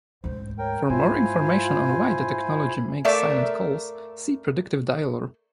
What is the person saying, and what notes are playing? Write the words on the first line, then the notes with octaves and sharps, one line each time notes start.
For more information on why the technology makes silent calls, see predictive dialer.
D2 G#2 C5
A#4 C#5 G5
G#2 E4 F4 C5 G#5
A3 A4 A#4 D5 E5 F5